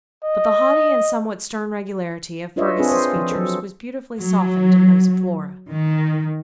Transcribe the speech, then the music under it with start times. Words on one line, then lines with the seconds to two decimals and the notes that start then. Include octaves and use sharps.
But the haughty and somewhat stern regularity of Fergus's features was beautifully softened in those of Flora.
0.24 D#5
2.56 D4 F4 B4 C#5 D#5 E5
2.77 C4 D4 F4 G#4 A4 B4
2.92 C5
3.16 F3
3.31 F#3 A4
4.20 F#3
5.70 D#3